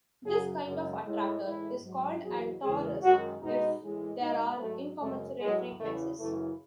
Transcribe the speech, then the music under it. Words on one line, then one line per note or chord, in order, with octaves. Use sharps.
This kind of attractor is called an -torus if there are incommensurate frequencies.
F#2 C#3 F#3 G#4
F#2 C#3 G#3
A2 G#3
A2 E3 G#3 E4
G#2 F#3
E2 B2 F#3 G#4
E2 C#3 G#3 G#4
F#2 D#3 G#3 F#4
B2 G#3 D#4
A2 E3 G#3
B2 G#3 D#4
G#2 F#3 A3
F#2 C#3 G#3 A3
A2 F#3 G#3
E2 C#3 E3 A3
F#2 C#3 E3 A3